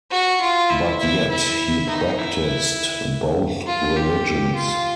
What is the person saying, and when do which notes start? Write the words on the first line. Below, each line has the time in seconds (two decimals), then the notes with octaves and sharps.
But yet he practiced both religions.
0.11 F#4
0.41 F4
0.70 E4
0.99 E4
1.30 E4
1.89 D#4
2.19 E4
3.67 F4
3.96 G4
4.55 F4